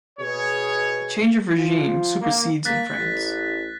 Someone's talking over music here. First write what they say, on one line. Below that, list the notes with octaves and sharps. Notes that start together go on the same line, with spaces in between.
The change of regime supersedes in France.
B2 G#4 C#5
F3 F4
A#3
A#3 F#6 A6 B6
A1